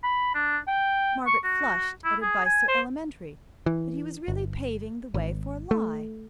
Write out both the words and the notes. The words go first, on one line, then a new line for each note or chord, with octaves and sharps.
Margaret flushed at advice so elementary, but he was really paving the way for a lie.
B5
D4
G5
C#6
F#4
E4
G#4
G#5
C5
E3
G1
G#1
A3